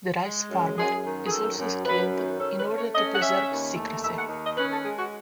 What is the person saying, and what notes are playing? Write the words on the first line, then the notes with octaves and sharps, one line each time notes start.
The rice farmer is also killed in order to preserve secrecy.
G#3
F#2
F#2 G#4
D#3
G#4
F#2 A4
F#2
F#2 B4
D#3
C#4 A4
B4
A3
C#5
C#4 D#5
F#5
C#4 E5
D#2
A3
D#2 E5
F#5
D#3
D#5
C#4 B4
A4
G#3 G#4
F#4